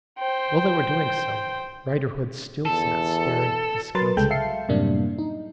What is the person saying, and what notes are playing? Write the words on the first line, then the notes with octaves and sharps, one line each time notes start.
While they were doing so, Riderhood still sat staring disconsolate.
C5 G5
E2 A4
F#3 A#4 B4 C6 A6
C2 C#3 G#3 A4 G5 G6
E5 F5 A5 C7 C#7
F#2 A2 C3 G3 A#3 D4
D#4